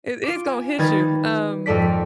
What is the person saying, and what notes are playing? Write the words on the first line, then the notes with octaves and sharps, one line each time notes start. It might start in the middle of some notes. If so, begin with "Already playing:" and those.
It it's gonna hit you, um,
F4 D6
G#5
D#3 G3 D#4 B4 G#6 A6
F2 G#2 A4 D5 B6